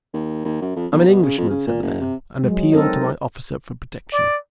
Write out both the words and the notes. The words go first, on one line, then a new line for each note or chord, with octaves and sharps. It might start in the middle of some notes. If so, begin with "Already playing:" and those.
"I am an Englishman," said the man, "and appeal to my officer for protection."
D#2
D#2
F#2
F2
B1
B2
C#3
F2
C#3
A#2
F#1
C3
F#3 G#3
C4 D#4 A4 A#4 D#5
D5